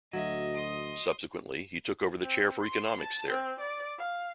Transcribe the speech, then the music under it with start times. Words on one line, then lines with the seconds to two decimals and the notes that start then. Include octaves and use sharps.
Subsequently, he took over the chair for economics there.
0.13 D2 F#3 D#5 E5
0.56 C6 D#6
2.22 C4
2.61 C6
3.01 A5
3.31 C4
3.60 D5
3.98 F5